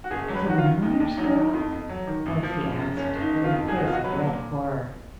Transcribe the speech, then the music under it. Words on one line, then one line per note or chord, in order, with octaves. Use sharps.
'As a milliner's girl?' Elsie asked, with a face of red horror.
F#4
F#1 G#4
F#3
B4
D#3 F#4
F4
F#2
D#2 D#4
D#2
F#3 D#4
D#3
F2
F2
F#3
D#3
G#1
F3
C#3
F#2
F#1 C#4
F#1
D#4
D#3
F4
F2
B1 G#4
F#4
B1 F4
F#4
F#3 B4
A#2